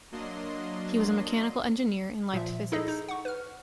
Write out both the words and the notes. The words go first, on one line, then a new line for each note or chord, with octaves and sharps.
He was a mechanical engineer and liked physics.
F#3 A#3 D4 D#5 C6
A#2 F3 E5
D#4 E4 G#4 A4 D#5
D#4
F#5 C#6
B4 F6